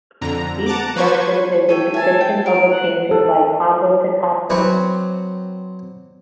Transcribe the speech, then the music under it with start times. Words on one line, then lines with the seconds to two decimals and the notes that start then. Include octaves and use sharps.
Each section is a depiction of a painting by Pablo Picasso.
0.21 F2 D3 A#5
0.66 F#5 A5 A#5 D6
0.96 F3 B4 C5 C#6 G#6
1.69 A4 C#5 G5 D#7
1.94 E5 G#5 A5
2.21 G5
2.46 A#4 D7
2.69 F#5
3.11 A4
4.50 F#3 C4 B4 C5 D5 C#6